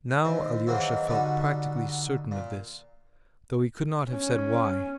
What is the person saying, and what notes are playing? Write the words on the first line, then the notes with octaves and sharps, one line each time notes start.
Now Alyosha felt practically certain of this, though he could not have said why.
D#2 C4
D#3 E3 F#3 G#3 A#3 C4
D3 G3 D#4 F#4
A#2
C#4